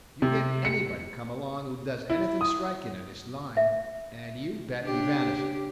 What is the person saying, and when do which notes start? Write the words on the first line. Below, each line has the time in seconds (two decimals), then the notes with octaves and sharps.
You get anybody come along who does anything striking in this line, and, you bet, he vanishes.
0.22 C3
0.65 C#7
2.10 E4
2.41 D#6
3.57 E5
4.82 C#3 D4 G4